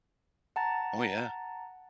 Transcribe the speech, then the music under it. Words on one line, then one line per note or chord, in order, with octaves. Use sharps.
Oh, yeah.
F#5 A5 A#5 A6